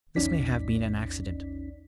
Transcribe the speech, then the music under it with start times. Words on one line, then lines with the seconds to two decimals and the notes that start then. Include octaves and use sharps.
This may have been an accident.
0.16 A#1 E2 C#4 D#4 D5 B6